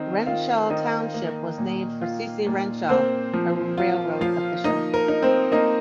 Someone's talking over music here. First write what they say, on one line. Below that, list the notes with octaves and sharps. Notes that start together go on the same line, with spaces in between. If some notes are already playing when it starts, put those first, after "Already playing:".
Wrenshall Township was named for C. C. Wrenshall, a railroad official.
Already playing: D#3 C4 D#4
D#3 F4 F5
D#3 D#4 D#5
A#3
A#2
F4
A#2
A#3 C4 C5
F3
F4
F3 F4 F5
A#3 D#4 D#5
A#4
D#4
C4 C5
A#3 D#4 D#5